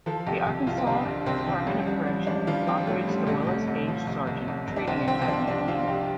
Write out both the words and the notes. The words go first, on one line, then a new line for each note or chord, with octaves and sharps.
The Arkansas Department of Correction operates the Willis H. Sargent Training Academy in England.
F3 A4
C2 G4
C2
C2 F4
C4
C3 D4
C2
C2 C4
F3
A1 G3
A1 G3
F3
A1 D4
F3 F4
F3 C4
G3
A2 A3
A1 G3
C2 A3
C2
C2
F3
C2
C2
C2
C2
D4
C2 C4
F3 C4
C4
F3 D4
C3 D4
F3 F4
C2 G4